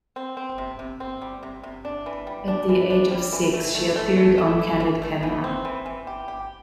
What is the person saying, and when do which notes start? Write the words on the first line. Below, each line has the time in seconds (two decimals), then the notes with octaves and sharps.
At the age of six, she appeared on "Candid Camera".
0.16 C4
0.37 C4
0.58 C3
0.79 C3
1.00 C4
1.21 G3
1.43 C3
1.64 C3
1.85 D4
2.06 E3
2.27 G3
2.48 D4
2.69 E3
2.90 D4
3.11 G3
3.33 E3
3.54 A3
3.75 A3
3.96 A3
4.17 A3
4.38 A3
4.59 E4
4.80 A3
5.02 A3
5.23 E3
5.44 C4
5.65 E3
5.86 E3
6.07 G4
6.28 G4